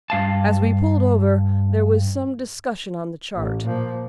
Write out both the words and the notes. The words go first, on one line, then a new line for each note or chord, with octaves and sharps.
As we pulled over, there was some discussion on the chart.
G2 F5 A5
A1
A#2 F3